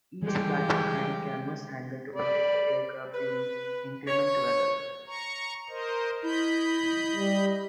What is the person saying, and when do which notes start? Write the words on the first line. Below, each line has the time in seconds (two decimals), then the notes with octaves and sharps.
Each platform had a canvas hangar to protect the aircraft during inclement weather.
0.22 E3 G3 G#3 G4
2.15 D5 B5
3.14 B4
4.07 C#5
5.06 A#5 C#6
5.69 A#4 C5 D#5
6.22 E4 D#5 B5 G6
7.15 G3